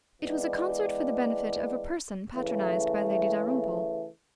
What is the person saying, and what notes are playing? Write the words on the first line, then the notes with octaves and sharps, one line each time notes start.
It was a concert for the benefit of a person patronised by Lady Dalrymple.
E3 G#3 B3 D4
C#3 E3 A3